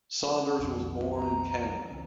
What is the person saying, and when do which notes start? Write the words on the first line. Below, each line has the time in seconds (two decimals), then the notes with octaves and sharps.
Saunders was born in Canada.
0.59 B1 F2 D#3
1.11 A#5
1.91 C#2 E3 C#4